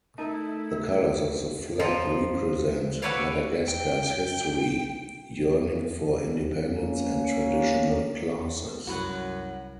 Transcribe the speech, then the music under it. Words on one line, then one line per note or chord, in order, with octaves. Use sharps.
The colors of the flag represent Madagascar's history, yearning for independence, and traditional classes.
A3 D#4 E4 A#4 D#5 A5
F3 D#4 F4
F#4 A4 B4 C#5 D5 F5
G5
A#3 C#4
C2 F#2 E4 F#4 B4 F#5